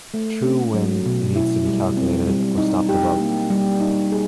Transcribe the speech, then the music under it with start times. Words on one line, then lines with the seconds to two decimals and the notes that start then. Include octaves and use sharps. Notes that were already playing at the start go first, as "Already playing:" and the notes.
True wind needs to be calculated or stop the boat.
0.14 A3
0.43 C#4
0.74 F#3
1.06 B2
1.36 E4
1.67 G3
1.97 C4
2.28 G3
2.58 D#4
2.89 G4
3.20 A#3
3.50 G3
3.80 D#4
4.12 G#4